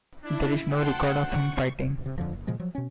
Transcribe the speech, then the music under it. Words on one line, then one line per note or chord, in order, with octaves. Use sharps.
There is no record of him fighting.
D4 E4
D2 F#5 G5 A5 C6
C#6
C3
F2 D3 F3
F#1
A#2 C#3 F3 G#3
F3 F#3
B2 C#4